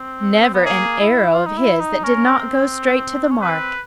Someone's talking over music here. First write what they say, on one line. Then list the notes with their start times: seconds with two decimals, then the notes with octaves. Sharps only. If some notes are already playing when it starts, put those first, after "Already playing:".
Never an arrow of his that did not go straight to the mark.
Already playing: C4
0.42 C4
0.54 B3
0.65 A#3 G#4
1.00 E4
1.34 F4
1.46 D#4
1.58 E4
1.80 D#4
2.04 C#4 A#4
2.39 C4
3.31 C#4
3.41 C4 B4